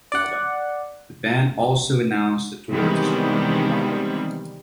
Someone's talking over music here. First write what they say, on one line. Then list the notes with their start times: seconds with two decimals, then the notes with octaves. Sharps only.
The band also announced a tour to support the new album.
0.12 D5 F#5
2.71 C3 D#3 E3 G3 G#3 B3